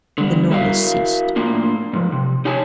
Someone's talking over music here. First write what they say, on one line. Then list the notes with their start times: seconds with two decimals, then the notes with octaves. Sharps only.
The noise ceased.
0.18 D3 G3
0.51 E4 F#4 A#4 E5 F5
1.36 A2 A#3 D4 F4
1.93 G#2 F3
2.12 C3
2.45 D#4 G4 C#5 G#5 A5